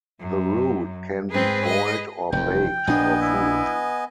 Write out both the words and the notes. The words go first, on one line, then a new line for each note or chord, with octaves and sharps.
The root can be boiled or baked for food.
F#2
G#2 C4 G#4 B4
D#5
F1 E2 G5
A#1 A#2 B3 D4 D#5 G#5
E4